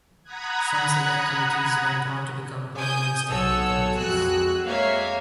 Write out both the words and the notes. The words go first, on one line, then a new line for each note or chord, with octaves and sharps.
Some select committees went on to become permanent standing committees.
F#5 A#5 B5 D#6 F#6 G#6
G#5 D#6 G6
B1 A4 C#5 F#5 E6
F2 G#3 F#4 G#4 E6 F#6
G#3 A#3 C#5 E5 F5